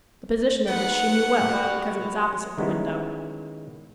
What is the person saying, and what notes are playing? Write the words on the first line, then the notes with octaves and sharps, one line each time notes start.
The position of this she knew well, because it was opposite the window.
G#2 B3 F#5
G3 F#4
D#3 G#3 B3 C#4 D#4 E4